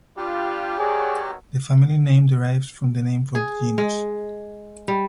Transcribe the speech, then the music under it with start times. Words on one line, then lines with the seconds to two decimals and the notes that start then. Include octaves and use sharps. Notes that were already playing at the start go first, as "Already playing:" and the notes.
The family name derives from the name for the genus.
0.17 G3 D4 F4 G4
0.78 B2 D#3 F#3 G#4 C#5 D5
3.35 G#4
3.78 G#3
4.88 G3